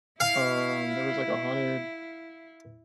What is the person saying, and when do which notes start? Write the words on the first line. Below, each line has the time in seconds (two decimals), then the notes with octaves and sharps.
um, there was like a haunted
0.20 E4 F5